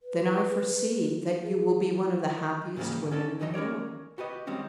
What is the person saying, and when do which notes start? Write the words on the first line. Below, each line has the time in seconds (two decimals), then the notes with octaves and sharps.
"Then I foresee that you will be one of the happiest women in the world."
0.01 B4
1.42 G#4
2.76 G#2 C#3 E3 F#3 G3 A#3
3.11 C#4 A4 D5 A5
3.40 C#2 F#2 E3 F#3 D#4 D#5
3.54 C#4 A#4 C#5 D5
4.18 F#4 G4 B4 D#5
4.47 D#3 G3 G#3 C4 C#4